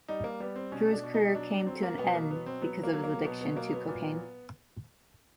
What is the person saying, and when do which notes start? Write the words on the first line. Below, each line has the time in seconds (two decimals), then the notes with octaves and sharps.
Drew's career came to an end because of his addiction to cocaine.
0.08 G3 D#4
0.24 A#3
0.40 G3 B3
0.56 C4
0.72 B2 C#4
0.93 D4
1.03 B2
1.14 D#4
1.35 F#3 D4
1.51 D4
1.67 F#3 C4
1.83 A#3
1.98 B2 B3
2.15 A#3
2.31 F#3 B3
2.46 C4
2.62 F#3 B3
2.83 A#3
2.93 F#3
3.04 A#3
3.25 B2 B3
3.41 B3
3.56 F#3 A#3
3.73 B3
3.88 A#2